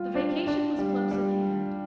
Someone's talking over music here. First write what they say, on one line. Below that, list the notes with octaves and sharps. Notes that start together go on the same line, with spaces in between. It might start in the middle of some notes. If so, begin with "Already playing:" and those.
The vacation was close at hand.
Already playing: G3 F4
D4
D4
G3
G3